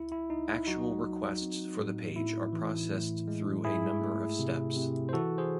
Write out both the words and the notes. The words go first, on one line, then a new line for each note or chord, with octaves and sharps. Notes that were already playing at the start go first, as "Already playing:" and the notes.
Actual requests for the page are processed through a number of steps.
Already playing: C#2 E4
E4
C#2 D#4
E4
F#3 D#4 F#4
F#3
C4
A2
A2 E4
E3
A2
G#3
G#2 E4 G#4
A3
C3
C3
C5
E3 F#4 A4
G#4 C5